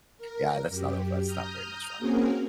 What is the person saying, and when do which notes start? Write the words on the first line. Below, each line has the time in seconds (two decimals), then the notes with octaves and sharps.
Yeah, that's not o that's not very much fun.
0.18 A#4
0.68 F#2 G4
1.22 A#5 D#6 F6 G6
1.98 A#3 C4 C#4 F#4 G#4 A#4